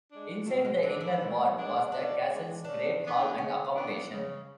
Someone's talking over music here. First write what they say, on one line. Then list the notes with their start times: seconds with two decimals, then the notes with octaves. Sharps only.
Inside the inner ward was the castle's Great Hall and accommodation.
0.10 G#3 D4
0.46 B2 A3
0.65 G#3
0.83 F#3 G#3 D4
1.01 E4
1.19 B2
1.56 G#3 D4
1.92 B2 D4
2.29 G#3 D4
2.65 C#3 D4
3.02 E3 B3 D4
3.38 C#3 C#4
3.74 E3 B3 D4
4.11 C#3